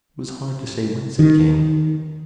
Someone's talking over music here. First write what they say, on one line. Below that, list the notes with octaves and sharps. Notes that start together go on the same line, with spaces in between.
"It was hard to say whence it came."
D#3